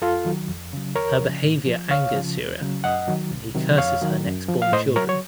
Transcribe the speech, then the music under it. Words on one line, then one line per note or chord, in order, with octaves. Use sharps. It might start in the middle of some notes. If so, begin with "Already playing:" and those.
Her behaviour angers Surya and he curses her next born children.
F2 F4 A4
D#3 F#3
F2
C#3 F#3
D#2 A#4 C#5
C#3 F3
A2
F3
C#2 C#5 F5
C#3 F3
D#2
C#3 F#3
F#2 D#5 F#5
D#3 F#3
C2
C3 D#3 F#3
F2 C#5 F5
D#3 F#3
F#2
F3
F5
A2 C5 D#5
F#3 A#4 C#5
C#5